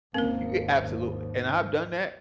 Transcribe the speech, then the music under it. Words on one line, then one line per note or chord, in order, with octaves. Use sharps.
Y a absolutely. And I've done that,
G#1 D#2 G#2 A#3 C4 C#4 A#4